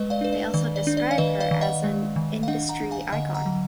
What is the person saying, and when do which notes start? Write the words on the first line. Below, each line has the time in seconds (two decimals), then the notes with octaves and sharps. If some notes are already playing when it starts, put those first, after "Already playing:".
They also describe her as an "Industry Icon".
Already playing: G#3 B4 D#5
0.10 D5 F5
0.21 D4 B4
0.33 D5
0.54 D#3 D5
0.76 D5
0.87 D4
0.97 D5
1.11 F5
1.18 D#3 B4 D#5
1.40 D5 F5
1.51 D#3
1.61 D#5 F#5
1.84 G#3
2.16 D#3
2.43 F5
2.48 D4 D#5 F#5
2.69 F#5 A#5
2.80 D4
2.91 F5 G#5
3.12 D3 D#5 F#5
3.34 F#5 A#5
3.46 F#3